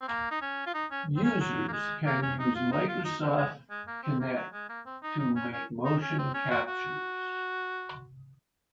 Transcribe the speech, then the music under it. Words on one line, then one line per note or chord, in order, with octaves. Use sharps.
Users can use Microsoft Kinect to make motion captures.
C4
A#3
D#4
C#4
F4
D#4
C#4
C4
C#4
F#3
A#3
G#3
A#3
C#4
D#4
F4
D#4
F4
D#4
C4
G#3
G#3
A#3
C4
A#3
F#3
G#3
A#3
C4
D#4
D#4
C#4
C#4
D#4
C#4
C4
C#4
F#4
F#4